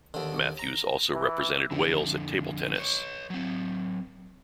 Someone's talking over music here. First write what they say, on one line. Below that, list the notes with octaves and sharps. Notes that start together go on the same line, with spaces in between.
Matthews also represented Wales at table tennis.
D#2 D3
A#5
E3
F2 D3
B4 C#5
F#3 C4